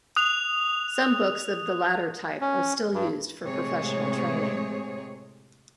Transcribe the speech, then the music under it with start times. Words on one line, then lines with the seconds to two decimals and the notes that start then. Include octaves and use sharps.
Some books of the latter type are still used for professional training.
0.16 D#6 F#6 F7
2.41 C#4
2.94 G2
3.42 A2 C3 G#3 G#4 C#5